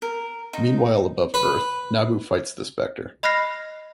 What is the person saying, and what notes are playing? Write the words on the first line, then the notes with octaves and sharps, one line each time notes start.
Meanwhile above Earth, Nabu fights the Spectre.
A#4
D#4
B4
D#5 B5 F6 F#6 A#6 C7